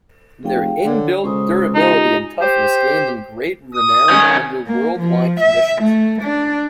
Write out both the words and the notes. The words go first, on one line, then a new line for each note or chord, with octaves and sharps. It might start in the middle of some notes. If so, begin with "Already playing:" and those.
Their inbuilt durability and toughness gained them great renown under worldwide conditions.
F1 G#4 F5 G5
D3 A4 C#5
C#2 G#3 C5 D#6
D#4 F4 G4 G#5
G4 C5
D#6
D#3 C#4
A#3
F3
E5
A3
D4